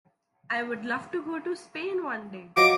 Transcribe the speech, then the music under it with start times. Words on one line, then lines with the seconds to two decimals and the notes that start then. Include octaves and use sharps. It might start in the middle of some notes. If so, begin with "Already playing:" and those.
I would love to go to Spain one day.
2.57 F3 F#3 D#5 D6